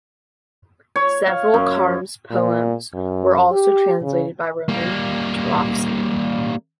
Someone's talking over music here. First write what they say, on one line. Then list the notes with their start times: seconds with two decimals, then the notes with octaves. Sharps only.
Several Kharms poems were also translated by Roman Turovsky.
0.96 C#5
1.28 F5
1.54 F#2
2.31 A#2
2.94 F#2
3.51 G4
4.02 C#3
4.69 G3 A#3